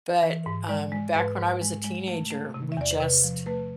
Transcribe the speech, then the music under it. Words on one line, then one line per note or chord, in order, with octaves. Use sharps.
But, um, back when I was a teenager, we just,
E3 E5
G#2
G#3 D5
G#3
G#2 B4
G#2
G#3
G#3
A3
A3
C3
E5
E2 D5
C5
C3 B4
F3
A3 B4